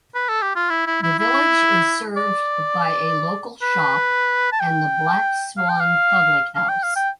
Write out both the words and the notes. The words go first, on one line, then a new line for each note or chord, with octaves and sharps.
The village is served by a local shop and the Black Swan public house.
B4
A4
G4
F4
E4
E4
E4
E4
D5
B4
A5
G5
F5
G5
F5
F5
G5
F5
G5